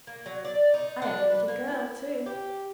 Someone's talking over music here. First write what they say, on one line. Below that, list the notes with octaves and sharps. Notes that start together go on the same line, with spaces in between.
I had a little girl, too.
A#3
F#3
D5
D#4
D4
B4
A#3
E4
G4